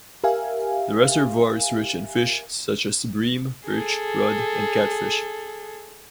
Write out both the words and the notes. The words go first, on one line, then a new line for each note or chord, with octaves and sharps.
The reservoir is rich in fish such as bream, perch, rudd, and catfish.
G4 A#4 E5 F5 G#5
G#4 A4